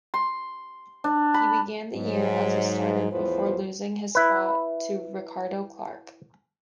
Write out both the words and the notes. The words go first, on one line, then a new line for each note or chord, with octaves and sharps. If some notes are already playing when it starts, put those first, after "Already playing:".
He began the year as a starter before losing his spot to Ricardo Clark.
C6
D4
B5
G#2 F#3
E2 A2 F3 B4 C5
E4 B4